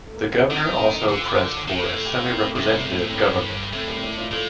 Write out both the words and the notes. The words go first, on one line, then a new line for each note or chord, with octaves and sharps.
The governor also pressed for a semi-representative government.
A3
A#3
C4
D4
D#3 C4 D#4
A#3 D4
A3 C4
C4 D#4
D3 F4
G4
D4 F4
A2
A4
G4
F4
C4 D#4
A#3
A3 C4
C3 G3 A#3
G3 A#3
A2 A3 C4
C4
G2 A#3 D4
A2 A3 C4
G3 A#3
C4
A#3 D4
D4 F4
A2 F4 A4